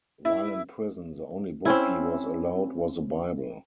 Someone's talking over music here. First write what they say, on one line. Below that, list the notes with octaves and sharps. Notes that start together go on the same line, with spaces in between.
While in prison the only book he was allowed was the Bible.
E4
C4 C#4 E4